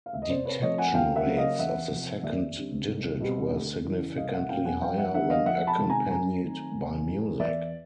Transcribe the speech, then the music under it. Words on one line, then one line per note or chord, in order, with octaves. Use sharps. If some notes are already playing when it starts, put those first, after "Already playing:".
Detection rates of the second digit were significantly higher when accompanied by music.
F5
E5
D#5
C3 C5 D5
B4 C#5
F3 A3 C4 C#5 D#5
F#5 G#5
C#2 F5 G5
E5 F#5
C#3 F#3 A#3 C#4
D#5 F5
E2 E5 F#5
C3 F3
D#2 D5 E5
D3 G3 C4
C2
B2 G3 C4
D2
C#3 E3
C2 D#5 F5
F5
E5 F#5
B2 F#3 A#3 C#4 F5 G5
F#5 G#5
F2 F5 G5
E5 F#5
D3 G3 A#3 E5 F#5
D#5 F5
F2 E5 F#5
A5 B5
C3 D#3 G#3
G#5 A#5
F#2 G#5 A#5
D#3 F#3 A3 C4
C3
E3 G3
E2 D5 E5